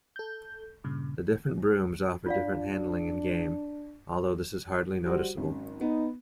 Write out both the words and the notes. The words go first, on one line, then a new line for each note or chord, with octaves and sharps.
The different brooms offer different handling in-game, although this is hardly noticeable.
A4 G6
G2 A#2 C#3
D4 F4 D5 F5
G3 F#4 C5
G#1 F#2
B3 D#4